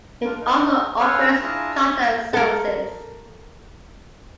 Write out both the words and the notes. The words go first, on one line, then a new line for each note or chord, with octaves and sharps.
It also operates charter services.
D4 F4
D#4
C#4 A4 B4 C#5 F5
D4 E4 F4 G#4 A5 A#5
A4 A#4